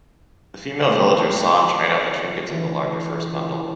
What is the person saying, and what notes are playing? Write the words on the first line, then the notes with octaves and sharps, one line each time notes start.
The female villagers saw and tried out the trinkets in the larger first bundle.
A3 C4
G#2
E3